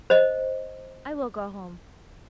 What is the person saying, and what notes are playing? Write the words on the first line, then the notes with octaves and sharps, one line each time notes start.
"I will go home."
C5 D#5